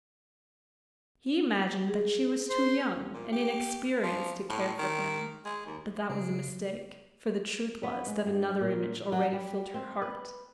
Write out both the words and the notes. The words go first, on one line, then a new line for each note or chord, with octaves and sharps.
He imagined that she was too young and inexperienced to care for him; but that was a mistake, for the truth was that another image already filled her heart.
G#4
C5 C6
A#2
G4
F3
A2
D#3
G#3
D#2
C#3
B3
G#3
G2
A#2
F#3
G3
C4
B4